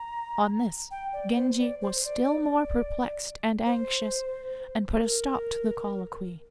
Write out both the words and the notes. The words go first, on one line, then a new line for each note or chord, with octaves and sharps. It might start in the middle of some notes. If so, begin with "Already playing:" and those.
On this, Genji was still more perplexed and anxious, and put a stop to the colloquy.
Already playing: A#5
G5
D5
C5
D5
C5
D5
C5
A#4